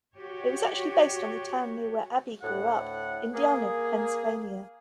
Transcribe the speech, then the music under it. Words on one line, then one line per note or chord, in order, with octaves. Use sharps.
It was actually based on the town near where Abbey grew up, Indiana, Pennsylvania.
F#4 G4 C#5
D2 A2 F#5
A#3 G#4